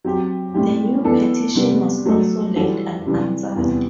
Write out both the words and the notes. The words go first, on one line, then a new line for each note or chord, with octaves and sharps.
The new petition was also left unanswered.
F#3 C4 G4
A2 G3 C4 E4 G4
E3 B3 D4 A4
C3 G3 B3 D4
F#3 A3 D4 A4
E3 G3 D4 F#4 A4
C3 E3 G3 D4
E2 C3 G3 B3